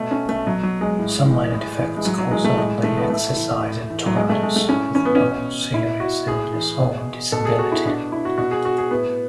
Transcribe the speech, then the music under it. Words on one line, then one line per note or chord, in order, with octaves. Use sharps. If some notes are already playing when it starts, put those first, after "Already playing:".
Some minor defects cause only "exercise intolerance", with no serious illness or disability.
Already playing: B2 A3
C#4
A3
B2 F#3
F#3
G#3
A2
E3
A2
E3
G#3
A2 F#3
F#3
E3 G#3
A3
A2 G#3
E3 A3
B3
A2 A3
E3
A2
E3
F#3
B2 G#3
A3
G#3
A3
A2 C#4
E3 C#4
B3
C#4
B2
B2 E4
F#4
A2 G#4
E3
B2
B2 A4
G#4
F#4
E4
B2 D4
E4
F#4
B2 F#4
G#4
F#4
G#4
A2 B3